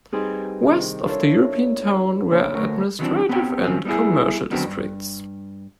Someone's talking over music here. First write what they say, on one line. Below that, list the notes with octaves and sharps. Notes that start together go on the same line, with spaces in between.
West of the European Town were administrative and commercial districts.
G3 C4 D#4 G#4 B4
C3 D#3
D4 E4 F4 A4 A#4 C#5
A#2 C#3 E3 D4
D2 D3 F#3 A3 A#4 C#6
D#3 E3 F#3 B3 C4 D4
B3 C4 G4 C#5 G5
D#2 C#3 F3 C4 C#4
G3 B3 C#4 E4 G#4
D3 D#3 F#3 B3 C4
G2